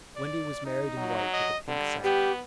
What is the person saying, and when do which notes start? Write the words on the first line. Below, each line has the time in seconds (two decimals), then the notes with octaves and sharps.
Wendy was married in white with a pink sash.
0.16 D5
0.65 D#4
0.98 F#3
1.33 D#5
1.68 D3 G3
2.04 B3 G4